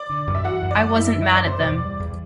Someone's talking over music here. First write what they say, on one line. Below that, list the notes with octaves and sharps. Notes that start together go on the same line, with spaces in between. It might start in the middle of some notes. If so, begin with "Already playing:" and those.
I wasn't mad at them.
Already playing: D5 D6
D3
F#2
E5
E3 F#4 F#5
F#2
D5
G3
F#2 E4 E5
E3
E5
F#2 D5
B2 C5
D5
E2
G3
E2